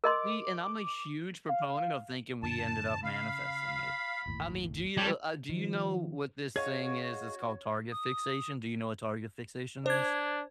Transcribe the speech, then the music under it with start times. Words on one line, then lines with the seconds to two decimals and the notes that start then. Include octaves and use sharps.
See, and I'm a huge proponent of thinking we ended up manifesting it. I mean, do you uh, do you know what this thing is? It's called target fixation. Do you know what target fixation is?
0.04 A#4 D#5 C6 D6
1.49 F5
2.43 F#2 B2 D3 A5
3.04 C#3 F5 B5
4.26 G1 D#2 A2
4.97 F2 G3 C#5 A5
5.49 D#3 F3
6.56 F#4 G#4 C#5 D#5 F5 G#6
7.92 D#6
9.86 D4 C5 G#6